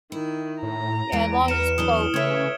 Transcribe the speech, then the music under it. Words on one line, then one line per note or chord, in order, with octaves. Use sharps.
Yeah, as long as both
D#3 E4
A2 A#5
E2 E3 G#3 D7
B4 F6 C#7 E7
E3 F#3 D4 D#6 G7
C#3 A3 B4 C#5 E5 G#6